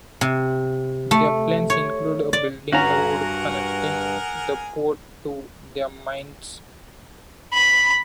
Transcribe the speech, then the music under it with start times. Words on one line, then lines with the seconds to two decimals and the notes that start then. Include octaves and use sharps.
Their plans include building a road connecting the port to their mines.
0.21 C3
1.11 A3
1.70 C#5
2.33 D5
2.73 G2 C#4 F#4 G#4 A#4 F5 F#5 A#5
7.54 B5